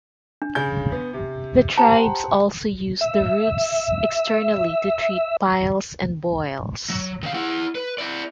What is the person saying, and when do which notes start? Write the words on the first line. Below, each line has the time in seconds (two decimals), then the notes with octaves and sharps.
The tribes also used the roots externally to treat piles and boils.
0.42 D4
0.55 C#3 G#5 G6
0.92 B3
1.13 C3
1.78 G4 C5 F#5 A5 A#5
3.01 E5 E6
6.90 F#3
7.23 D#3 F5
7.34 E4 F#5
7.75 B4
7.98 E4 D5